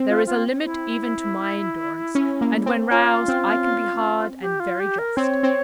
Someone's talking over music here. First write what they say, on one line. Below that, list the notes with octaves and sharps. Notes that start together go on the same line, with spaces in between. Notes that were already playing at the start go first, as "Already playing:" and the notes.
There is a limit even to my endurance, and, when roused, I can be hard and very just.
Already playing: C4
F4
F4
E4
C#4
A#3
C4
C#4 F4
C4
G4
F4
G4
A#4
C4 C#5
C4